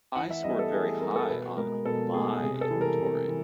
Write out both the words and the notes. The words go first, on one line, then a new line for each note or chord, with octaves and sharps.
I scored very high on my inventory.
E3 F#5
E5
G3 B3 D#5
A4
E3 G#4
G3 B3 A#4
A4
B2 B4
G#3 B3 A#4
B2 A4
G#3 B3 G#4
C3 G#4
A4
E3 G3
A#4
C3
E3